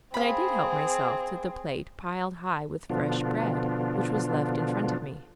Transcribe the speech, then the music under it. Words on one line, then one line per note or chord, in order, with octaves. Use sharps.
But I did help myself to the plate piled high with fresh bread which was left in front of me.
C4 G#4 F5 B5
B2 D3 F3 B3 D4 F4